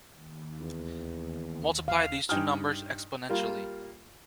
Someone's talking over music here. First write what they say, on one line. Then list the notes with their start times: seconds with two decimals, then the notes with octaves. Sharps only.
Multiply these two numbers exponentially.
0.14 D#2
0.61 E2
1.88 F5
2.29 G2 D#4 G5 G#5 D#6 F6
3.29 G3 A#3 F4